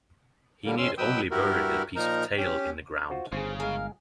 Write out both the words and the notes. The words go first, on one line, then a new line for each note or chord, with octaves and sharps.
He need only bury the piece of tail in the ground.
A2 D3 G3 A#3
F2 C#4 C6 E6
B2 F#3 B4 G5 D#6 E6
G2 E4 F#4 G4 A#4
A#2 F3 D#4 A#4 A#5
C#4 G4
F4 F#4 C5
G1 C#3 G#4 C5
G#3 G#4 A#4 F5